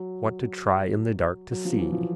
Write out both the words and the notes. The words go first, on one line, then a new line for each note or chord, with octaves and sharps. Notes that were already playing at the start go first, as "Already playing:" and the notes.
Want to try in the dark to see.
Already playing: F#3
F#3
F3
E3
F3